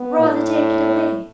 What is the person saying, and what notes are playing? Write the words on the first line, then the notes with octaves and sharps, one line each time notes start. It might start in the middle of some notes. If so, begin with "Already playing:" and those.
Rather take it away!
Already playing: B3
A2